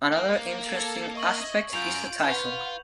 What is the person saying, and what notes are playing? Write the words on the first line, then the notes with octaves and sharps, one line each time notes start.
Another interesting aspect is the title.
A#3
A4 G#6
D#5 E5 C#6 F#7
F#2 F4 G6 D7 F7
F4 B4 F#5